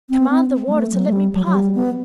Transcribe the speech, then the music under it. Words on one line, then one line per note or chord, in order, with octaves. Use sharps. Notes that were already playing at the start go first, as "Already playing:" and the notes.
Command the Warder to let me pass.
C4
B3
C4
G3
A3
F#3
A3
G3
F#3
F#3
G3
B3